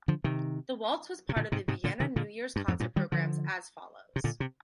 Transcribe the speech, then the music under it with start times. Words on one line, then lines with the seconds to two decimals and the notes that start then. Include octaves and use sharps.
The waltz was part of the Vienna New Year's Concert programmes as follows.
0.08 D3 F3
0.24 C3 D#3
1.29 C3
1.36 A#2 D3
1.52 G#2 C3
1.68 G#2 C3
1.84 A#2 D3
2.00 C3 D#3
2.16 A#2 D3
2.56 G2
2.68 F2 G#2
2.80 G2 A#2
2.96 D#3 G3
3.12 D3 F3
4.16 C3
4.24 A#2 D3
4.40 C3